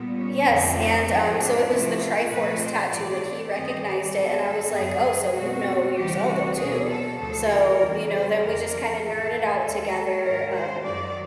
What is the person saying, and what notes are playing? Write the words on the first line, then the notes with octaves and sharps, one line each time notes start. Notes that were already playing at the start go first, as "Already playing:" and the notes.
Yes, and, um, so it was the Triforce tattoo and he recognized it, and I was like, "Oh, so you know your Zelda, too?" So, you know, then we just kind of nerded out together, um
Already playing: A#2 G3 B3
C#4
F2 D3 F3 A3 C4
D#4
G#2 F3 G#3 C4 D#4
D4
C3 F3 A3 C4 E4
F4
A#2 F3 A3 C4 B4
C5
G#2 E3 A3 C4 D5
G2 D#3 G3 C4 D#5
D5
G#2 D#3 F#3 B3 A4
A4
F#2 D3 F#3 G#4
B2 G#3 C4 F#4
D2 C3 E3 G3 G4
F#4
B2 F#3 A#3 G#4
A4
D2 C#3 F3 A4
A#4
E2 C#3 E3 G3
C5
F2 D3 F3 A#3 A#4
A2 E3 A3 A4
D#2 D#3 G#3 A4
G#2 D#3 G#3 A#4
C5
F#2 D#3 F#3 D5